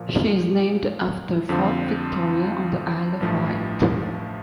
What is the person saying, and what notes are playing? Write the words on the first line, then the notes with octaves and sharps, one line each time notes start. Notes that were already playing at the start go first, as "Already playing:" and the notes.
She is named after Fort Victoria on the Isle of Wight.
Already playing: A#2 F3 A#3
F2 D3 F3 C4 F4
A1 G2 F3 A3